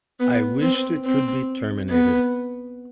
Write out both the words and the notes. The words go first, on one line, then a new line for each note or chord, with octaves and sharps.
I wished it could be terminated.
B3
C4
C4
B3